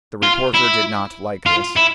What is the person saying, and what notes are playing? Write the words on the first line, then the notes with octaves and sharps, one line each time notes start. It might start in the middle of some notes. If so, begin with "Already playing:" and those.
The reporter did not like this.
F4
E4
F4
E4